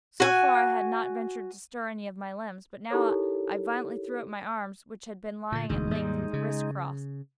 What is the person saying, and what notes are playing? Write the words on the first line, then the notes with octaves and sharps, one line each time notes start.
So far, I had not ventured to stir any of my limbs--but now I violently threw up my arms, which had been lying at length, with the wrists crossed.
F#4 G#5
D#4 E4 G4 A4 A#4 C#5
A#2 D3
E1 D2 G#3 D#4
D#2 G#2 G3
C#3